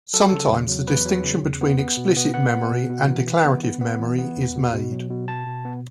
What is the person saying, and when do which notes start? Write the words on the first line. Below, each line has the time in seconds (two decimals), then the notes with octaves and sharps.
Sometimes, the distinction between explicit memory and declarative memory is made.
0.14 F#3 A4
0.22 F#4
0.29 C#3 A4
0.50 E2
0.69 F#3
0.87 E2 B4
1.06 F#3
1.24 C#3
1.43 E2
1.61 B3
1.79 B3
1.97 B2
2.16 B3
2.34 B3 F#5
2.53 B3
2.71 B2
2.89 B2
3.08 E3
3.26 E3
3.45 B3
3.63 B3
3.81 B3
4.00 E3
4.19 B3
4.36 E2
4.55 B2
4.73 B2
4.92 F#3
5.10 B2
5.28 B2 A5
5.47 B2
5.65 B3